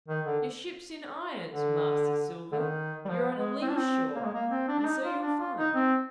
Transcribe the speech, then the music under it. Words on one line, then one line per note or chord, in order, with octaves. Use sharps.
Your ship's in irons, Master Silver; you're on a lee shore, and so you'll find.
D#3
D3
D3
D3
D#3
G3
F3
G#3
C4
D4
C4
A#3
G#3
A#3
C4
D4
D4
D#4
F4
D4
F4
D#4
C4